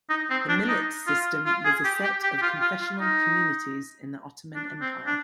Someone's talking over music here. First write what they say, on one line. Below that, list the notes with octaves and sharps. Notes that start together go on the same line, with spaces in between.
The Millet system was a set of confessional communities in the Ottoman Empire.
D#4
C4
D4
D#4
F4
F4
G#4
G4
G4
G4
G4
F4
F4
F4
D#4
D4
C4
D4